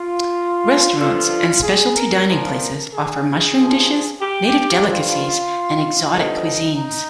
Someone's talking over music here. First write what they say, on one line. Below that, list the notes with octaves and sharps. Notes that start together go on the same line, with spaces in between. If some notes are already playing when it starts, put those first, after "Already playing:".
Restaurants and specialty dining places offer mushroom dishes, native delicacies and exotic cuisines.
Already playing: F4
G2 D3 F3 F4
G#4
A#4
A#2 F3
G#4
G2 F3
G4
G2 D3 F3 F4
G2 D3 F3 D#4
D#4